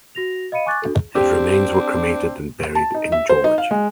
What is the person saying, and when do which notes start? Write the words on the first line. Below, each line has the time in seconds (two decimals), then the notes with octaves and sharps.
His remains were cremated and buried in George.
0.15 F#4 A#6 F7
0.52 D#5 F5 B5 C#7 D#7
0.66 G#5 C#6 D6 F#6 A6
0.82 D4 F#4 A4
1.15 C4 D4 G4
2.75 A5
2.94 D#4
3.12 E5
3.29 C5
3.44 D#4
3.58 F5
3.71 G#3